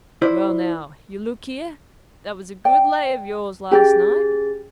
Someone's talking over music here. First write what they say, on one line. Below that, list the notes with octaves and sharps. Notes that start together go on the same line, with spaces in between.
Well now, you look here, that was a good lay of yours last night.
E4 C5 D5
D5 G5
C#4 G4 G#4 A6